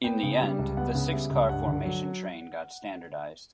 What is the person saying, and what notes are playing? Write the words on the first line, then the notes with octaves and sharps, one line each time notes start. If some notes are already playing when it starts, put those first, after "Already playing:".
In the end, the six-car formation train got standardized.
B3 G5
C#3
G3
C#2
B3 F#5
C#3
G3 E5
C#2
G2 F#5
D3
F#3